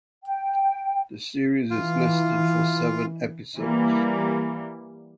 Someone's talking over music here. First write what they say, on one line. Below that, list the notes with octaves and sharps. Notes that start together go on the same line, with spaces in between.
The series is listed for seven episodes.
G5
E3 F4 F5
E3 G3 A#3